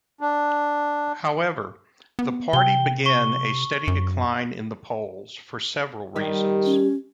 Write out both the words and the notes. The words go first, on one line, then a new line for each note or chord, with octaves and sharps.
However, the party began a steady decline in the polls for several reasons.
D4
B3
C3 G5 G7
C#6 G7
F#2
D#3 G3 G4
C#4